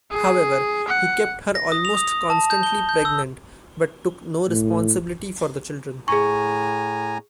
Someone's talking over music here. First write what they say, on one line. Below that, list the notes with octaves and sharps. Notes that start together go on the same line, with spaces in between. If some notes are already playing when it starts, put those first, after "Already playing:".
However, he kept her almost constantly pregnant, but took no responsibility for the children.
G#4
F#5
A#6
D#6
F7
D#6
D#6
A5
G6
G7
G6
E6
A2
A2 G#4 G#5 A#5 C#6